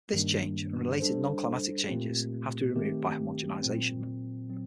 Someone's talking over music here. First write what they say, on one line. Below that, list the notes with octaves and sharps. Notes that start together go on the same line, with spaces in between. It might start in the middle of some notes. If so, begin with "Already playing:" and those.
This change, and related non-climatic changes, have to be removed by homogenization.
G2 D#3 G3 A#3 D4
G3 D4 A4 C5
A#2 A3 C4 G4
D#3 A3 C4 G4
A#2 F#3 C4
A#2 F#3 C4